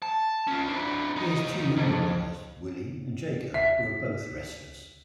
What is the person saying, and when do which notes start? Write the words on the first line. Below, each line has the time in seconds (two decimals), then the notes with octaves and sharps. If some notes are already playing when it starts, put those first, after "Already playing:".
He has two younger brothers, Willy and Jacob, who are both wrestlers.
0.02 A5
0.47 C#4 F4
0.68 D4 E4
1.16 E2 D#4
1.77 B1 F2
3.54 E5 B6